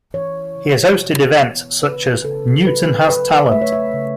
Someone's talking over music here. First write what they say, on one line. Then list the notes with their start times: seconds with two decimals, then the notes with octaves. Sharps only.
He has hosted events such as Newton Has Talent.
0.14 E3 C#5
0.55 C#3
0.98 B2
1.40 B3
1.82 C#3 B4
2.24 C#3 A4
2.67 F#3 B4
3.09 F#3 B4
3.51 A3 E5
3.61 C#5
3.73 E5
3.93 C#3